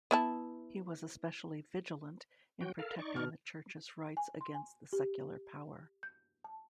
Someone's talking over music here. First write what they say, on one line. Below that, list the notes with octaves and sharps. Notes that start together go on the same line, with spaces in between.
He was especially vigilant in protecting the Church's rights against the secular power.
B3 E4 A5
F#3 F#4 G5
A4 A#4 F5
D#4 D5 C#6
B2 F6
G#5
C6
G#5
G4
G6
A5